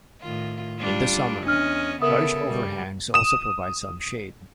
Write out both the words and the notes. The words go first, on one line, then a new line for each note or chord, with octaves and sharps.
In the summer, large overhangs also provide some shade.
A2 D#3 F4
G3 D4 F4
E2 C#4 D4 D#5 F6
C#3 B3 A4 A#4 E5 D#6
G3
D#6 E7